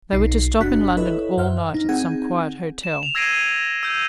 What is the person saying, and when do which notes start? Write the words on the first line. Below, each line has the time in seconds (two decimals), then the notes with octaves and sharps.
They were to stop in London all night at some quiet hotel.
0.12 B1 D#4 C7
0.60 G1 D4 F#4 F#6 B6
0.97 E4 A4 B4 C#5 D#5 E5
1.37 F#2 C5 E5 F#5 F6
1.74 D#4
1.89 C4 D#4 G#4 F#5 G#6
2.83 E7
3.03 F7
3.15 E6 G#6 A#6 C7 D7 D#7
3.83 E6 G6 D#7